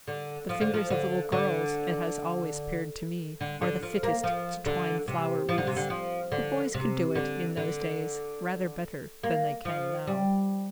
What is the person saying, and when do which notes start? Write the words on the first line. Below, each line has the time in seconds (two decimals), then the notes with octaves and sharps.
The fingers of little girls, it has always appeared to me, are the fittest to twine flower wreaths; but boys could do it, in those days, rather better than they can now.
0.08 D3
0.49 F3
0.61 D3
0.74 F3
0.90 D3
1.32 D3
3.41 D3
3.62 D3
3.83 F3
4.03 A#3
4.24 F3
4.66 D3
5.08 C3
5.49 F3
5.58 D3
5.67 C3
5.77 D3
5.90 F3
6.32 D3
6.74 C3
7.15 D3
7.57 D3
9.23 A#3
9.65 F3
10.07 G3